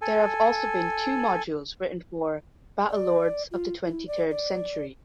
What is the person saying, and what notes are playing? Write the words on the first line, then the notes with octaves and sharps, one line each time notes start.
There have also been two modules written for "Battlelords of the Twenty-Third century".
A4 G#5
D5
F4
E4
D5
D5